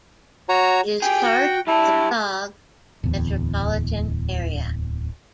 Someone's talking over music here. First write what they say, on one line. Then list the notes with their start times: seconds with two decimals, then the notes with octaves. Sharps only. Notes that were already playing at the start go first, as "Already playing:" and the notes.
It is part of the Prague metropolitan area.
0.49 F#4 C#5 A#5
1.02 G4 G#4 G5
1.24 F#4
1.67 G3 E4 A5
3.04 D1 E2